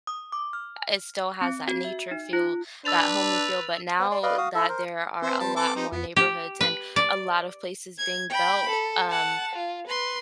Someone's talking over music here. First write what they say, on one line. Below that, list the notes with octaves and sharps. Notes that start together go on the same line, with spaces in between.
it still has that nature feel, that homey feel. But now that there are a lot more neighborhoods and a lot of places being built, um,
D#6
D6
F6
C4
F#4
E5
D#4
F4
D4 B4 E6 A6 F7
B3 C5
D5 C6
B4 D5 D#5 F5
F#4 F5 D#6
E4 A4 E5
A#4 C5
C4 B4 C5 E5 C6
G3 A5
A4 A5 D6
D#4 G4
F2 B3 F4
G4
B4
D5
G#6
G5 B5
A4
F#5 A5
F4
B4 C6